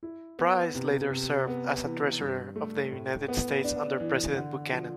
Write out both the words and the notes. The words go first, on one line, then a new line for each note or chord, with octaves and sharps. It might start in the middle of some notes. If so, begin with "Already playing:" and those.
Price later served as treasurer of the United States under President Buchanan.
E4
B3
C3
C3
B3
E3
G2
A3
A2
B3
D4
E3
D3
F3